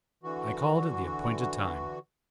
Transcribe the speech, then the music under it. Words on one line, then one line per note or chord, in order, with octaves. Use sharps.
I called at the appointed time.
D3 E3 F#4